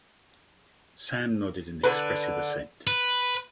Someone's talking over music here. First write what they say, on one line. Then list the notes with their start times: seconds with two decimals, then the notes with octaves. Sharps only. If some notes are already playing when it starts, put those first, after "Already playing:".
Sam nodded an expressive assent.
1.84 D3 B4
2.87 B4